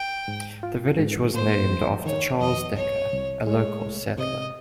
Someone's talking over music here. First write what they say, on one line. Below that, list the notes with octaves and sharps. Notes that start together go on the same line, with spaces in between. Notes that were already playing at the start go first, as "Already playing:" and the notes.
The village was named after Charles Decker, a local settler.
Already playing: G5
G#2
F4
G#2
A#3 C5
F2
D#3 C#5
F2 D#5
C2 C#5
C2
G#3 C#5
C2
C3 D#5